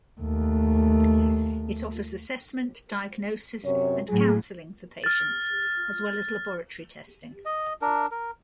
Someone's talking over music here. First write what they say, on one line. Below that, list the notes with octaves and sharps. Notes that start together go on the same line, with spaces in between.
It offers assessment diagnosis and counselling for patients as well as laboratory testing.
D#2 A3
F#2 C3 C#5
A2 F#3 G#4
F6 A6
D#5
D4 A#4
A#4